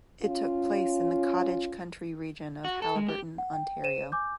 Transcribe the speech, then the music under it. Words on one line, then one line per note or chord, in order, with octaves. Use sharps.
It took place in the cottage country region of Haliburton, Ontario.
C#4 F4
F#4
A4
G#3
G4
F#5
G5
C5 D#7 E7
G#5 D6 G6